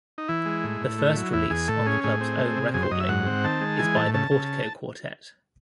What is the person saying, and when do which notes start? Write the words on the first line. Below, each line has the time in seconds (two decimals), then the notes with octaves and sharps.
The first release on the club's own record label is by the Portico Quartet.
0.18 D#4
0.28 E3 E4
0.46 G#3
0.64 A2
0.81 A2
0.99 A3
1.16 F#3
1.33 E2 E4
1.50 E2 G#4
1.68 A2 A4
1.86 C#4 G#4
2.04 A2 G#4
2.21 C4
2.38 A3
2.57 C3
2.74 F#2 G#4
2.82 C5
2.91 F#2 D#5
3.00 E5
3.09 G#2 F#5
3.26 C4
3.44 D#3 A5
3.61 G#3
3.79 E3 G#5
3.96 A2 A5
4.14 C#3 A5
4.31 C#3